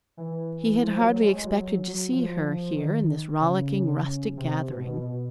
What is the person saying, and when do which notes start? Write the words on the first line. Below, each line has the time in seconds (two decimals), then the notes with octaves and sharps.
He had hardly expected to see her here in this rollicking, rustic gathering.
0.17 E3
0.82 F3
0.98 F#3
1.14 F#3
1.22 G#3
1.30 A3
1.38 G#3
1.46 F#3
2.12 F3
2.76 D#3
3.40 C#3
4.37 C3
4.70 B2
4.86 B2
5.02 B2